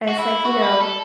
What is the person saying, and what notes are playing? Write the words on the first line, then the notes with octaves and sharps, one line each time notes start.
and it's, like you know,
F#4
E4
F#4
B4
A4